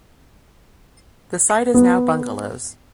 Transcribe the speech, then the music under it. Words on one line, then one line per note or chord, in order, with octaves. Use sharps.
The site is now bungalows.
B3